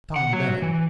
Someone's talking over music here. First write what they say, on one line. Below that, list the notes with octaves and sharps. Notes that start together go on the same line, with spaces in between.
Tom done it.
F#5
F#3
E3